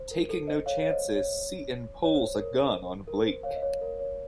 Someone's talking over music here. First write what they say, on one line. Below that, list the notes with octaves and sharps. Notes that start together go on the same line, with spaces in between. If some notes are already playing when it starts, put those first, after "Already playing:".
Taking no chances, Seton pulls a gun on Blake.
Already playing: C5
A#4
A4
C5 D#5
C#5 F5
C#5
C5 D#5
C#5
C#5
C5
A#4
C5
A#4
C5
C#5 F5
D#5
C#5
A#4
C#5